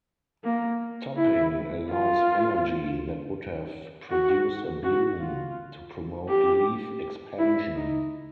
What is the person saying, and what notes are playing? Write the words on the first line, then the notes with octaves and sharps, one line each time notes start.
Topping allows energy that would have produced a bloom to promote leaf expansion.
A#3
E4
F4
F#4
F#4
F4
G4
E4
D#4